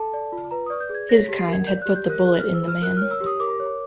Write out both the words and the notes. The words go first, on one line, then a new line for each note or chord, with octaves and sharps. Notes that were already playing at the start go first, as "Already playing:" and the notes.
His kind had put the bullet in the man.
Already playing: A4 A5
D5
F4
B4 A#5
D5 D#6
G6
G#4
G#6
C#5 A#6
G4 B6
C7
A#4 G#6
D5 G6
G4 F#6
G6
A#4 F#6
G#4 F#6
C5 F6
E6
F4 F6
A#4 F#6
C#5 F6
E6
G4
D#6
A#4 D6
C#5